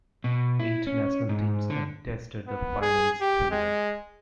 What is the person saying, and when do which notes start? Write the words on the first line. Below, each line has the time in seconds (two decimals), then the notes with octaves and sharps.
Eight national teams contested the finals tournament.
0.24 B2
0.60 E4
0.87 C#4
1.29 G#2
1.70 D3
2.48 B3
2.82 G#4
3.21 G4
3.51 G#3